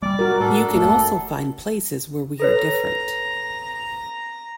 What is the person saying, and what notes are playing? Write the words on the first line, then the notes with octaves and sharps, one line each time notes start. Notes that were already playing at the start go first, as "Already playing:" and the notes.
You can also find places where we are different.
G3 G#3 D5 D6
F#4 A#4
A2 D4 A4 A#4
F#1 A3
A4 B4 C#5 A#5